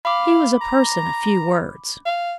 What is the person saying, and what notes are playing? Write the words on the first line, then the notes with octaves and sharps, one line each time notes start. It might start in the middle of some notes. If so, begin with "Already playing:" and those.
He was a person of few words.
F5 B5 D6
A#5
F5